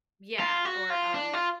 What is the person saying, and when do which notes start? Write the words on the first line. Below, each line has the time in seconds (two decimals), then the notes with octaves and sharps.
Yeah. Or, um
0.40 F4
0.65 F#4
0.90 F4
1.14 D4
1.33 F4